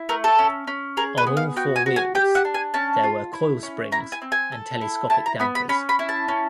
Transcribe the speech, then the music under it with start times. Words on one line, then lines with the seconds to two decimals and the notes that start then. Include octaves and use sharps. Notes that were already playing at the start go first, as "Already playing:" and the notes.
On all four wheels there were coil springs and telescopic dampers.
Already playing: E4
0.09 A3 A#4
0.24 A4
0.39 C#4
0.67 C#4
0.97 G#4 A#4
1.18 B4
1.27 B3
1.37 F5
1.56 F#4 G5
1.76 G#5
1.86 F#4
1.96 G#5
2.15 G4 G5
2.35 F#5
2.45 D4
2.54 G#5
2.74 C#4 A5
3.03 F4
3.33 E4
3.63 C#4
3.92 E4 A#5
4.12 G#5
4.22 C4
4.32 G#5
4.52 A4
4.81 E4
5.10 E4 A5
5.26 A#5
5.40 B3 B5
5.55 B5
5.69 C#4 B5
5.89 B5
5.99 E4
6.09 A5
6.28 C#4